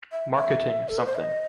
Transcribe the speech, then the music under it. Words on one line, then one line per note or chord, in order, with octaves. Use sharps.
Marketing something.
E5
E5
A4
B4
C5
E5
D#5